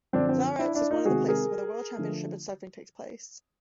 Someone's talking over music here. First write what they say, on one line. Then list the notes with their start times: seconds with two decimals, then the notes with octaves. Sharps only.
Zarautz is one of the places where the world championships in surfing takes place.
0.13 F#2 D3 F3 C4 D4
0.29 C4
0.59 D4 E4
0.74 D4 E4
0.90 D#4 F4
1.05 C3 D#3 G#3 F#4 G#4
1.28 G#4 A#4
1.97 D3 F3 A3